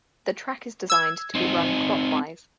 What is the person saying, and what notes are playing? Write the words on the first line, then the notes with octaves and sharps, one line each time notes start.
The track is designed to be run clockwise.
E6 G#6
C4 D#4